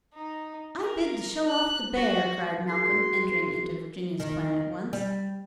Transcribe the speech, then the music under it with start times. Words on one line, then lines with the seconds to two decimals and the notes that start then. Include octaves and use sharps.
"I bid to show off the bear," cried Malcolm, entering into Virginia's plan at once.
0.14 D#4
0.81 A#4
1.48 F#6
1.94 F#4
2.69 F#4 G#4 A#4 C6
4.20 D#3
4.93 G3